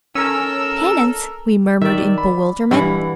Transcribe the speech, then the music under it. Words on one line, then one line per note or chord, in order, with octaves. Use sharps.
"Penance?" we murmured in bewilderment.
C#4 A4 A#4 E6
D#3 D5 E5
B5
G2 E3 F#5